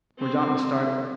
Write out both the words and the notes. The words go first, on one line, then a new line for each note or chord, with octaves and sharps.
Mordaunt was startled.
C4